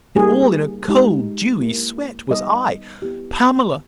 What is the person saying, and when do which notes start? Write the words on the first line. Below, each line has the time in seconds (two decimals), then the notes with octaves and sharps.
And all in a cold dewy sweat was I. Pamela!
0.16 G3 A#3 D#4 G4 G#4
0.88 G#3 D#4 G4
1.59 A#3 E4 G4
2.30 G3 B3 D#4 D#5
3.02 B3 E4 G4